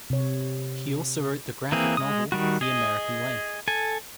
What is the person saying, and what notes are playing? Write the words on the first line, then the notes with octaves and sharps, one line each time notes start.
He also wrote the graphic novel "The American Way".
C3 C#5
E3 A#3 C4 G#4
G#3 D#6
D#3 G3 F#4
G#4 D#5
A4 G#5